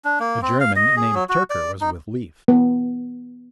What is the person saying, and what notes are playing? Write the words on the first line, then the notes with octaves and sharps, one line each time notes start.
A German, named Tyrker, was with Leif.
D4
A#3
C4
F5
D#5
G#4
F#3
F#4
D5
D#4
B3